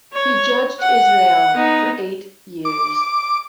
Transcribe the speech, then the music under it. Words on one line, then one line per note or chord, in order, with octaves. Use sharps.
He judged Israel for eight years.
C#5
F#5
B3 D#4
D6